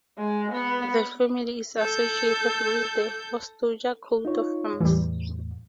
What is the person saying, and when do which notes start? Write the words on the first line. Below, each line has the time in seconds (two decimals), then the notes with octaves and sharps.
The family is associated with the Ostoja Coat of Arms.
0.18 G#3
0.52 B3
1.77 A4 G6
4.25 D#4 F4 C#5
4.80 E2 A2 E3 G3